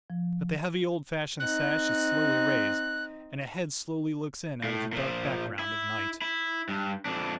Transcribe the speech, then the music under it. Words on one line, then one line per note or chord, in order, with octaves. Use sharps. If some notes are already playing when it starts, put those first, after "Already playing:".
But the heavy old-fashioned sash is slowly raised, and a head slowly looks in out of the dark background of night.
F3
C4 D#4 F#6
A2
A#2 F3
E4
E4
G2
F2 D4